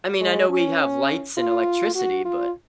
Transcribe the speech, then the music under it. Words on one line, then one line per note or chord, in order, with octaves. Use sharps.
I mean, I know we have lights and electricity, but
G#3
C#4
F4
F#4
F4